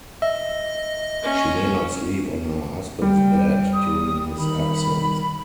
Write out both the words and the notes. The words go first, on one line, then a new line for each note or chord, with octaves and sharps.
She may not sleep on her husband's bed during his absence.
D#5 E5
C#4
G3 G5
D#6
D#3 B5